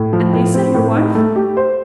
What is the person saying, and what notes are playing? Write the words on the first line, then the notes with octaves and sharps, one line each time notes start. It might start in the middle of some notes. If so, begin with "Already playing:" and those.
"And Lise, your wife?"
Already playing: A2
F3
A2
C4
A2
D#4
A3
G4
C5